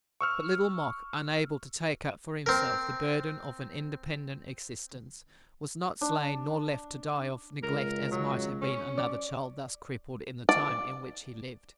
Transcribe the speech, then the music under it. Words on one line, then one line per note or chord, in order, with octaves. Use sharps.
But Little Mok, unable to take up for himself the burden of an independent existence, was not slain nor left to die of neglect as might have been another child thus crippled in the time in which he lived.
C#6 E6 F6
C4 A#4
D4
C#2 A#4
F#3
C#4
D5
D5